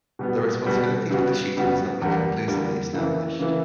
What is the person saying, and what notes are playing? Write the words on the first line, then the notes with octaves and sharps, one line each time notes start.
The responsibility for the shooting has not been conclusively established.
B2 G3 B3
B2 G3 B3
C#3 G3 B3 F#4
C#3 G3 B3 F#4
E2 D3 G3 A#3
E2 D3 G3 A#3
C#3 E3 A#3 E4
C#3 E3 A#3 E4